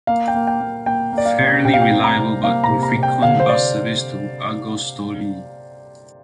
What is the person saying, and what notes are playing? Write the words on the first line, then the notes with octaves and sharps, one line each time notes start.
Fairly reliable but infrequent bus service to Argostoli.
A#3 F5
G5
A#3
G5
A#3
A#3 G5
A#3
D5
F5
C3
C3 G5
F5
G5
C3
A#5
C3
A#3 F5
A#5
C3
A#5
C3
G5
D3 F5
C5
D3 D5